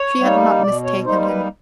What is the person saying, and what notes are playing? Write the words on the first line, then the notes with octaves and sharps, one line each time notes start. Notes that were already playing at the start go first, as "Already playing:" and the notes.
She had not mistaken him.
Already playing: C#5
G3 A#3 D#4
B2 D5
C#5
G3 A#3 D#4 C5
C5
B4